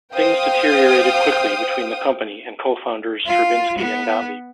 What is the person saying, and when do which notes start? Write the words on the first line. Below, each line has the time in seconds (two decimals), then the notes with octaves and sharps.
Things deteriorated quickly between the company and co-founders Drabinsky and Gottlieb.
0.14 C5 F5 G5 D#6
3.26 F4
3.78 B3